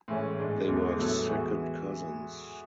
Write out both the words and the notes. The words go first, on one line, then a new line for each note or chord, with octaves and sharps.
They were second cousins.
A2 E3 G#3 C#4
G#2 G#3 D4
E2 D3 G#3 B3
A2 F#3 B3 E4 A4
E3 G#3 B3 F#4